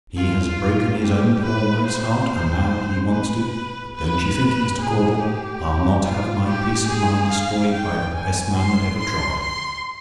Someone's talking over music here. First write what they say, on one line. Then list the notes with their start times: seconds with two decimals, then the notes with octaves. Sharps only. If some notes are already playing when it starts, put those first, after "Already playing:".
He has broken his own poor wife's heart, and now he wants to--but don't you think it, Mr. Caudle; I'll not have my peace of mind destroyed by the best man that ever trod.
0.17 F4
1.02 G4
1.44 B4
1.86 C5
3.11 B4
3.95 B4
4.79 G#4
5.20 G4
6.04 F4
6.47 G4
6.88 G#4
7.30 F5
7.73 G5
8.14 G#5
8.57 C6
8.98 C6
9.40 C6